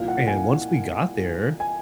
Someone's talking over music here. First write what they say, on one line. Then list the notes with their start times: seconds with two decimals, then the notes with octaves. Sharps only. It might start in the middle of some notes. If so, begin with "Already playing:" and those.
And once we got there,
Already playing: C2 A#2 F3 F5
0.08 F#5
0.27 G#5
1.60 G#5